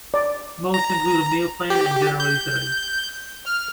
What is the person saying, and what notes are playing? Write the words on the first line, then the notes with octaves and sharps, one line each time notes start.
Most include a meal plan and general utilities.
D5
A#5
G4
G6
F6